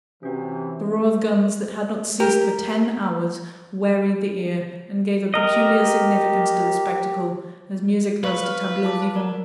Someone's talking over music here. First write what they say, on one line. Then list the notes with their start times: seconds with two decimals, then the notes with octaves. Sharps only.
The roar of guns, that had not ceased for ten hours, wearied the ear and gave a peculiar significance to the spectacle, as music does to tableaux vivants.
0.23 C3 E3 C#4 F#4
2.20 G4 A#4
5.34 G4 A#4 D#5
8.23 B4 F5 C#6 F#6
8.44 F6
8.71 F5
8.83 F4 A5 D6
9.15 A#4 D5